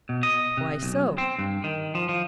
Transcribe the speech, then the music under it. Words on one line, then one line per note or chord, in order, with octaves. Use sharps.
Why so?
B2
D#5
C3
B1
C4
G2
D#3
F3
F3